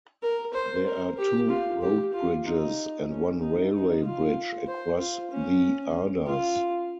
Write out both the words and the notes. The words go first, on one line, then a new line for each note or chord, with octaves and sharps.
There are two road bridges and one railway bridge across the Ardas.
A#4
C5
A#4
G4
F4
G4
F4
D#4
C#4
D#4
D#4
F4
C5
F4
C#4
F4